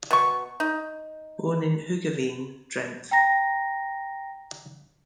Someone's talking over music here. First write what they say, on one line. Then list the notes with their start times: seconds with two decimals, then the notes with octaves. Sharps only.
Born in Hoogeveen, Drenthe.
0.11 B2 C#6
0.60 D#4
3.11 G5 A#5 A#6